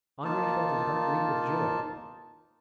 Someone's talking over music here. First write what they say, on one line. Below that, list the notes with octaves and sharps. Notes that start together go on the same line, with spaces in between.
Andrea felt his heart leap with joy.
A#3 D#4 F4 A5